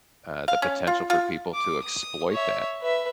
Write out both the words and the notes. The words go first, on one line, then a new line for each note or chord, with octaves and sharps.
uh, the potential for people to exploit that,
F5
C#4
F4
F4
D6
D#6
C#5 E5
B4 E5